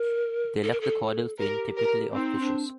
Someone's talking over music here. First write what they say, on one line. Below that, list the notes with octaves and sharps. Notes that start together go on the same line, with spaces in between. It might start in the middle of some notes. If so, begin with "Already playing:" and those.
They lack the caudal fin typical of fishes.
Already playing: A#4
A4
A#4
A4
G4 A#4
A#4
C4 D#4
D4